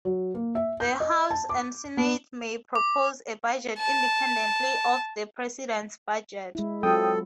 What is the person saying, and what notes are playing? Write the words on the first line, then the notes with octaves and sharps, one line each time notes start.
The House and Senate may propose a budget independently of the President's budget.
F#3
A#3
E5
G6
D#5
A5
D6
B3
D6
A5
G#3 E4
F#3 C4 F4 A4 G5 D#6